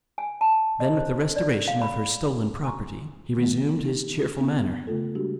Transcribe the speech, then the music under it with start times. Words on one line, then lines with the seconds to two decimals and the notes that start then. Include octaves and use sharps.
Then, with the restoration of her stolen property, he resumed his cheerful manner.
0.18 G#5
0.41 A5
0.80 D#5
0.97 C5
1.36 D5
1.68 F5
1.82 B5
2.64 G#5 A#5 C6 C#6
3.37 D#3 A3 B3
3.85 D#4 G4
4.39 B3 D4
4.87 C#3 A3 F4 A4
5.15 G3 G#3 D4 F#4 G4